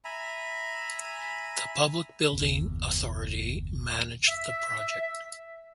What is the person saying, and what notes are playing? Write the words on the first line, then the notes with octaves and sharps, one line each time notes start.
The Public Building Authority managed the project.
E5 G#5 A#5 B5
F#1 D#2 B2
E5